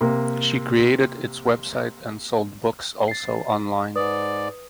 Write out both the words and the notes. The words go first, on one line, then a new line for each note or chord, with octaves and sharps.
She created its website and sold books also online.
C3 A#3
A6 C7
G#2 B4 D5 D#6